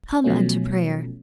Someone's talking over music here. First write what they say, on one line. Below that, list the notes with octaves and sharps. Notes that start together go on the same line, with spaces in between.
Come unto prayer!
B2 F3 F#3 A3 C#4